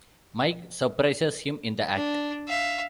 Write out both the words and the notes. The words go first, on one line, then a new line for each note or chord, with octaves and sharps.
Mike surprises him in the act.
D4
E5 F5